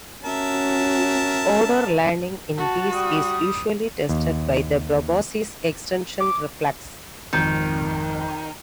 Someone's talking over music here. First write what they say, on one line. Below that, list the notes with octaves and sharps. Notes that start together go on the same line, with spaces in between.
Odor learning in bees is usually tested by the proboscis extension reflex.
C#4 F#4 A#4 E5 A5
F#4 A5
G3 D#6
D#2
D6
G#1 F2 D#3